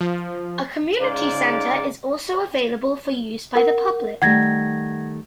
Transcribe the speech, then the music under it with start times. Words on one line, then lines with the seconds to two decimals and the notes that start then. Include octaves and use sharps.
A community center is also available for use by the public.
0.01 F3
1.00 G#2 C#3 D#4 F4 D5 A#5
3.56 A#4 F#5
4.22 D#3 G3 A3 F#5 G#6 A#6